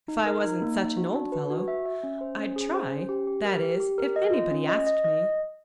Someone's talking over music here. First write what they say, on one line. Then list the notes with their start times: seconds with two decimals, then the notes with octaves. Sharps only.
"If I wasn't such an old fellow, I'd try; that is, if anybody asked me."
0.08 D#4
0.26 A#4
0.44 D#4
0.62 A#3
0.79 D#4
0.97 F#4
1.15 D4
1.32 B4
1.50 F#4
1.68 E5
1.86 E5
2.03 C#4
2.21 C5
2.39 C#4
2.56 G#4
2.74 C5
2.92 C#4
3.09 G4
3.27 G4
3.45 A#4
3.63 G4
3.80 G4
3.98 A#4
4.16 D#5
4.33 F4
4.51 C#4
4.69 D#5
4.87 D#5
5.04 D#5